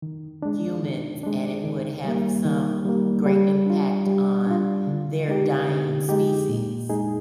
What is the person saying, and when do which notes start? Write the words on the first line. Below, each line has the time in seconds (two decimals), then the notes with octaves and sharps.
humans, and it would have some great impact on their dying species.
0.02 D#3
0.42 G#3 D4
0.83 D#3
1.23 G#3 D4
1.64 D#3
2.04 G3 A#3
2.45 D#3
2.85 G3 A#3
3.26 G3
3.67 D4 F4
4.07 G3
4.47 D4 F4
4.87 D3
5.28 G#3 D#4 G4
5.68 D3
6.09 G#3 D#4 G4
6.49 A#2
6.89 G#3 D#4 G#4